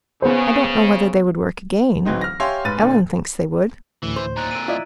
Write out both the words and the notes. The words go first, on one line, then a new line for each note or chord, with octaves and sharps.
I don't know whether they would work again; Ellen thinks they would.
C#3 B3 C5
D1 E3 F#3 C4 D#4
F6 A#6
G4 C#5 E5 F5 G#5 C6
G#2 B4 A6 D#7
A#2 D3
D2 A2 E3
C5
D#2 A#2 A#5 F#6 A6
F2 A#2 E6 D7 D#7
E4 F4 D5 D#5